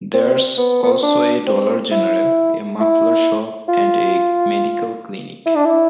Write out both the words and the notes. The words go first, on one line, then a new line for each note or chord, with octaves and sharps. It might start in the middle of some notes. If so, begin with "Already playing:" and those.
There's also a Dollar General, a muffler shop and a medical clinic.
C4
B3
B3
C4
D4
C4
E4
E4
F4
E4
D4
E4